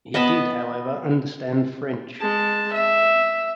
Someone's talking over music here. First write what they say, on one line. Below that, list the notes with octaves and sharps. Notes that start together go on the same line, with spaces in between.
He did however understand French.
B3 D#5 A5 B5
G#3 A5
E5